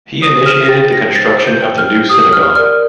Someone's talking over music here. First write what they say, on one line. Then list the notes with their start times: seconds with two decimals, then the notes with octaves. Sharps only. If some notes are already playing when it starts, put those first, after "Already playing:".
He initiated the construction of the new Synagogue.
0.22 C5 D#6
0.46 F6
0.68 G5 A6
0.93 A#6
1.15 C5 A6
1.47 G6
1.62 G5
1.78 F6
2.09 G4 D#6
2.33 F6
2.55 A#4 D5 F6